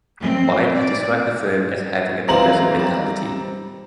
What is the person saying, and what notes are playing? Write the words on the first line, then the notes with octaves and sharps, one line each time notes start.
Wired has described the firm as having a progressive mentality.
C4
D5
E3 G#3 C4 F4 A#5 F#7
G3